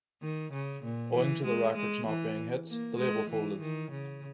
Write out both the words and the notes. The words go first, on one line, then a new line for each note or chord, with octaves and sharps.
Owing to the records not being hits, the label folded.
D#3
C#3
A#2
E3
G#3
G#3
E3
A#3
G#3
E3
D#3
C#3